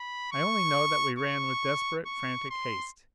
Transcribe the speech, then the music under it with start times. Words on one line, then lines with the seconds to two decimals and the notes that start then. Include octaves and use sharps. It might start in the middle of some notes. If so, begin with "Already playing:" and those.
I only know that we ran with desperate, frantic haste.
Already playing: B5
0.32 C#6
1.19 C#6
2.06 C#6
2.51 C6